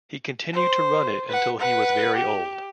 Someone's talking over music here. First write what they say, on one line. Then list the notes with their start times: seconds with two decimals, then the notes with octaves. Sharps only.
He continued to run it until he was very old.
0.53 C5
1.29 B4 F#5
1.59 B4 F#5
2.16 G4